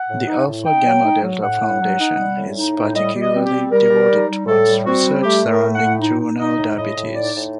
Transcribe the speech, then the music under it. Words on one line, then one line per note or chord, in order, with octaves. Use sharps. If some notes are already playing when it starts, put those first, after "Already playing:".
The Alpha Gamma Delta Foundation is particularly devoted towards research surrounding Juvenile Diabetes.
Already playing: F#5
A2
D#4
A2
D#4 G5
F#3
D#4
F#3
A2 F#5
A2
F#3
D#4
G3
A2
D#4
A2
G3 D#5
G3
D#5
C4
G4
G3
G3 A#4
G3
D#4
G3
A2 A4
G3
C4 F#4
G3
A3 G4
A2
A#4
A3
F#5
A2
D#4
D#4
D#4 D#5
A2
A2 D#5
A2
D#4 D5
A2